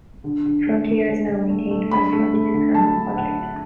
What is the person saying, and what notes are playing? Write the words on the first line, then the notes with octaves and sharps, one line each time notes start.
Frontier is now maintained by the Frontier Kernel Project.
D3
D3
A3
D3
D3
D3
A3
A3
D3 B5
A3
A3
D3
F#3 A5
D4
D3 F#5
D4